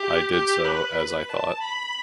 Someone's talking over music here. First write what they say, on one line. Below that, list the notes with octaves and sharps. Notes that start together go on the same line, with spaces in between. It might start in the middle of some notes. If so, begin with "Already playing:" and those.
I did so, as I thought.
Already playing: G4
G4
B4
B4
A5
B5